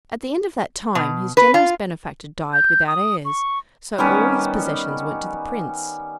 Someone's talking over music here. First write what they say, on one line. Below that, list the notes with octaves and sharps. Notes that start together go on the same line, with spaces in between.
At the end of that time his generous benefactor died without heirs, so all his possessions went to the prince.
B2
B4
F4
G6
D#6
C#6
D#3 G3 B3 C#4